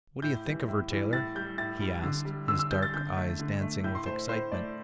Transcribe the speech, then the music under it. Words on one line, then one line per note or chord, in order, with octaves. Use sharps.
"What do you think of her, Taylor?" he asked, his dark eyes dancing with excitement.
A2 G6
E3 G3
A2
E3 G3
A2 A6
G3 G6
A2 A6
G3
D3
G3
D3 E6
E6
G3 G6
A6
D3 G6
A3
D3
A3
A2 G6
C6
A3 C5
A2 C5
A3 D5